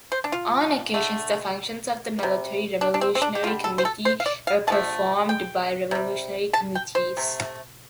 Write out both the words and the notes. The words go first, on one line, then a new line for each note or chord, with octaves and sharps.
On occasions the functions of the Military Revolutionary Committee were performed by revolutionary committees.
C5
D4
F4
D3 A3
C3 G3
D4
D4
C4
C4
D4
G4
D3 G3 F4
A4
C5
A4
C5
F5
D5
F5
D3 F3 A3 A5
G5
C3 G3
A5
G5
C5
C3 A3